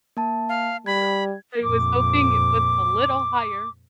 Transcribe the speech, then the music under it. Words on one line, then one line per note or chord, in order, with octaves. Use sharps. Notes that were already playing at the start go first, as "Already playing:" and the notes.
Yeah, I was hoping it was a little higher.
A#3 A5
F5
G3 B5 G#6
F2 A#2 D6